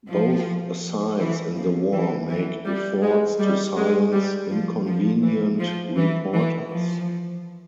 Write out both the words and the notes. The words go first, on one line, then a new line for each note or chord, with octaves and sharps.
Both sides in the war make efforts to silence inconvenient reporters.
F3
E3
F3
E3
E3
G3
G#3
G3
G#3
G3
F3
F3
E3
F3
E3
E3
F3